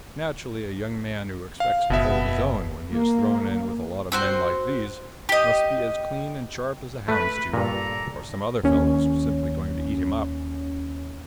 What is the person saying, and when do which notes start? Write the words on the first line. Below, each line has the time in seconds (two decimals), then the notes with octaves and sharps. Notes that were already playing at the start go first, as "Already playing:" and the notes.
Naturally, a young man who expects to hold his own when he is thrown in with a lot of men like these must be as clean and sharp as a hound's tooth, or some other fellow's simply going to eat him up.
1.60 F5
1.90 F#1 B2 B3 E5
2.92 A#3
4.12 C4 F#4 C5
5.29 G4 D#5
7.08 A3 B4
7.54 G2 A#2 A4 D5 A#5
8.63 D#2 C#4